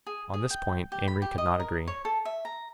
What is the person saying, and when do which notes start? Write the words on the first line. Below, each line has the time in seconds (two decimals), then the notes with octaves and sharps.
On this point Amory could not agree.
0.07 G#4
0.34 G#4
0.50 G5
0.92 G4
1.08 B5
1.22 G4
1.38 D#5
1.60 A#4
1.88 C#5
2.05 A4
2.25 E5
2.45 A#5